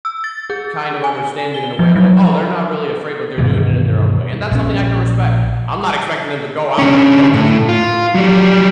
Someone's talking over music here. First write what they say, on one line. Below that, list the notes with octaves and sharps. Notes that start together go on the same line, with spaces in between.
kind of understand it in a way of like, "Oh, they're not really afraid, but they're doing it in their own way," and that's something I can respect. I'm not expecting them to go out there and protest with people,
E6
A6
G#4
G#5
G7
F3
F#3
G2 B2 D#3 E3
A#1 C#4
D3 C#4
A2
F4
F#3 G3